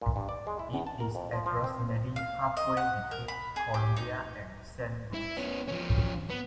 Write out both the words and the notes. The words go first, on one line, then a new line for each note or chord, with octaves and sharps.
It is approximately halfway between Columbia and Saint Louis.
A#2
G2
D5
G#3
E4
E2
A5
A#4
F2
F3
F3
C4
F5
D#5
F#5
A#4
B5
G#4
G4
D#4
E4
B3 C#4
F3 C#4
B3